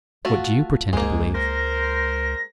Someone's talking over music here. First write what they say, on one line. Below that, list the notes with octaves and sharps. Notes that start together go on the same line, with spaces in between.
What do you pretend to believe?'
A3 F4 F#4
C#2 G#2 G#3 A#3
A#4 C5 A#6